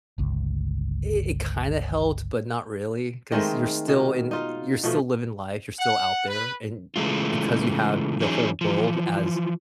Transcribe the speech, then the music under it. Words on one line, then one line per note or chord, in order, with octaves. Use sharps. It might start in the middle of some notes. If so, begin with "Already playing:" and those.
it it kinda helped but not really 'cause you're still in you're still living life, you're still out there. And because you have the whole world as
G1 C#2
D#3 G#3 A3 C4
B2 D#3
D#4 F4
B2 F3 A3 B3
F#5
B4
C#3 E3 G#3 A3 F4
E3 F#3 C#4 D#4 G#4
E3 F3